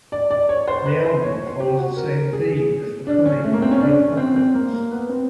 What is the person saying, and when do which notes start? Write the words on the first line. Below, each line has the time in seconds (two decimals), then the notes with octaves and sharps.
The album follows the same theme as "The Coming", the apocalypse.
0.12 D5
0.31 D5
0.49 C#5
0.68 C5
0.86 B4
1.05 C5
1.23 C#5
1.35 C#5
1.47 C5
1.60 G4
1.78 F#4
1.96 A#4
2.33 G#4
2.52 G#4
3.07 D4
3.26 C#4
3.44 A3
3.53 A#3
3.62 C4
3.71 C#4
3.81 D4
3.99 C#4
4.17 C4
4.36 C4
4.54 A#3
4.73 A#3
4.91 B3
5.09 C4